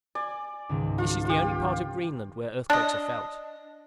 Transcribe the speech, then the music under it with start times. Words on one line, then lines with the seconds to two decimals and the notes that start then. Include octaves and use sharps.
This is the only part of Greenland where earthquakes are felt.
0.15 D5 G#5
0.69 C#2 G#2 D#3
0.98 F4
1.25 F4 G4
2.70 D4 D#5